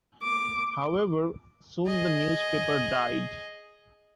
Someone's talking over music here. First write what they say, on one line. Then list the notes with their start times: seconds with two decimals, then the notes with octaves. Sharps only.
However, soon the newspaper died.
0.23 D6
1.87 G#4 D#5